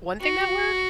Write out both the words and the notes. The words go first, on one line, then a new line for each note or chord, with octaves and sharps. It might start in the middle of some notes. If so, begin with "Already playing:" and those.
One thing that worked
F#4